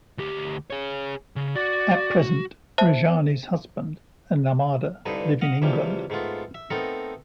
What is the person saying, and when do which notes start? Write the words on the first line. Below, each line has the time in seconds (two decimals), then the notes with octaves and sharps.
At present Rajani's husband and Narmada live in England.
0.18 D2 G4
0.70 G#4 C#5
1.36 C#3
1.55 F#4 D5
2.78 C5 E5 A5
5.06 C2 G2 D3 D#4 B4
5.41 D#5 F5 F#5
5.62 C#2 C3 E3 F3 G3
6.10 G#2 A3 B3 F4
6.54 E5
6.70 A3 B3 C4 D#4 A4 A#4